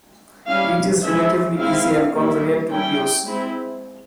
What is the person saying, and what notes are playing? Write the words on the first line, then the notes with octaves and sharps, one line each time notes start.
It is relatively easy and convenient to use.
G3 C#4 E4 F5
F3 G#3 C#4 E4 E5
G#3 C4 E4 F5
G3 A#3 E4
G3 C#4 E4 G5
G#3 C4 E4